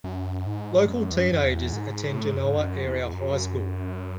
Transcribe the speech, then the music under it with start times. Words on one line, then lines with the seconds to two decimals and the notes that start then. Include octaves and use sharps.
Local teenagers attend Genoa Area High School.
0.04 F#2
0.46 G#2
0.88 F#2
1.10 E2
1.16 F#2
1.33 F#2
1.45 E2
1.73 G#2
2.15 A2
2.25 G#2
2.34 F#2
2.45 G#2
2.56 F#2
2.85 E2
3.13 F#2